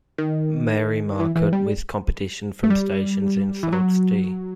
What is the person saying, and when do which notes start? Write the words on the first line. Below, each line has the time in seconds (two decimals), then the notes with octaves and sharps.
Marie market, with competition from stations in Sault Ste.
0.18 D#3
1.20 E3
1.36 E3
1.53 G3
2.64 A3
2.70 G3
3.63 E3
3.73 F#3